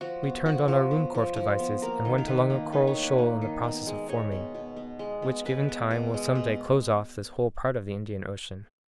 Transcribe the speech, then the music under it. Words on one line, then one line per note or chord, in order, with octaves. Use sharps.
We turned on our Ruhmkorff devices and went along a coral shoal in the process of forming, which, given time, will someday close off this whole part of the Indian Ocean.
F3 F#4
B3
F3 F#4
F3
B3
F3
F3
B3
A#3 A#4
D#3
A#4
D#3 B4
A#3
D#3 B4
C#5
A#3
B4
A#3
D#3
B2
G#3
G#3 C#5
B2
B2
B3
G#3
B2
G#3 B4
B3
B2
G#3
B2